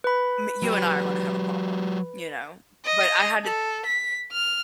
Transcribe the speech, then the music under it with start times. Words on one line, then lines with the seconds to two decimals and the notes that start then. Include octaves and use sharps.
me you and I are gonna have a problem, you know, but I had to
0.04 B4 B5
0.63 F#3 G4
2.85 D#5
3.44 A4
3.86 B6
4.32 F6